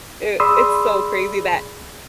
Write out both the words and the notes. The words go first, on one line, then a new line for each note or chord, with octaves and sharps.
it it's so crazy that,
G#4 D5 B5 C6 D#6 E6